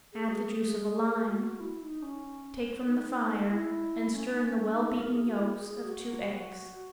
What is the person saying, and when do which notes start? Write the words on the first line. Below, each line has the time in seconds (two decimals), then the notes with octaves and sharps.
Add the juice of a lime, take from the fire and stir in the well-beaten yolks of two eggs.
0.12 G#4
0.30 F#4
0.33 G#4
0.65 G#4
0.97 G#4
1.11 A#4
1.20 G#4
1.28 F#4
1.60 E4
1.81 D#4
2.02 C#4
2.85 D#4
3.48 E4
4.11 C#4
4.33 D#4
4.43 C#4
4.74 D#4
4.99 A#4
5.12 G#4
5.25 F#4
5.37 E4
5.53 G#4
5.68 G#4
5.84 F#4